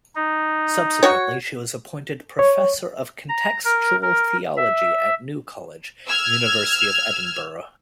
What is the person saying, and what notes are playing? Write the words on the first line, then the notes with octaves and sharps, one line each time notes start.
Subsequently, she was appointed Professor of Contextual Theology at New College, University of Edinburgh.
D#4
F#4 C#5
C#5
A#5
A#4
A#4
E5
E6 F6 G#6